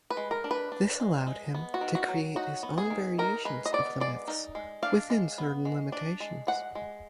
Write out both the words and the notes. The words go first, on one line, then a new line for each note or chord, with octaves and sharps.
This allowed him to create his own variations of the myths within certain limitations.
B4
G#3
A#4
D4
B4
D4
G#3
G#3
B3
F#4
D#3
F#4
F#3
D#4 F#4
B3
G#4
D#3
D#4 A#4
G#3 B4
D#5
B3 D5
G#3 D5
D#4
G#3
D4 F5
G#3
B3
G#3
D4
G#3
G#3 F#5
G#3